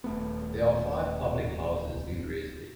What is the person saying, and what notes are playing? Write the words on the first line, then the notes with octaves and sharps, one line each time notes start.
There are five public houses in Greasby.
D#1 A3 B3